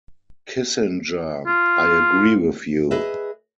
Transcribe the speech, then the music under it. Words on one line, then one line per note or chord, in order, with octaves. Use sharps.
Kissinger: I agree with you.
F4
G#4 B4 D#5 E5